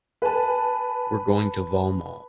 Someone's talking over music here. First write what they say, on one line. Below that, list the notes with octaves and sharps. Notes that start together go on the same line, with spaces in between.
We’re going to Vallmoll.
B4 G#5 A5